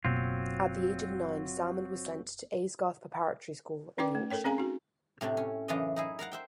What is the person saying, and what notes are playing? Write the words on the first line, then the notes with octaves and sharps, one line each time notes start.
At the age of nine Salmond was sent to Aysgarth Preparatory School in Yorkshire.
F#1 B2 F#3 A#3 C4 F4
C#4 D#4 B4 D5 G5 D6
A3
A4 A#4 C#5 G5
C4 C#4 G#4 F5 G#5 A#5
D#4 F#4
A2 C3 A3 D4
C#4
F#2 C#3 E3 D4 C#5 D#5
D#4 E4 G#4
A#4 F5 F#5 A#5
C5 E5 G5